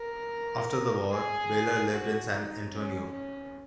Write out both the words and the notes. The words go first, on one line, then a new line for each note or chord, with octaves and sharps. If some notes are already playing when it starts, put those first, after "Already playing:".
After the war, Baylor lived in San Antonio.
Already playing: A#4
G#4
F#4
D#4
C#4
C#4